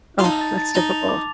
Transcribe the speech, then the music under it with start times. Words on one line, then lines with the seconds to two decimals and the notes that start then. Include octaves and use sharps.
Ugh, that's difficult.
0.19 F4
0.24 D#4 A5
0.41 A6
0.58 A6
0.75 D#4 F7
0.91 F7
1.09 D6